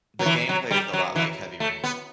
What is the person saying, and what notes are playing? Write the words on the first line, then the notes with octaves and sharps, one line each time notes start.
The gameplay is da lot like Heavy Rain,
F#3
E3
F#3
G3
F#3
E3
A3
B3